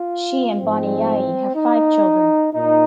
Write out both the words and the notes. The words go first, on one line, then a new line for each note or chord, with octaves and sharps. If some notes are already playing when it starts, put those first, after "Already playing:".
She and Boni Yayi have five children.
Already playing: F4
G#2 F3 G#3 C4
D#4
A#2 D#4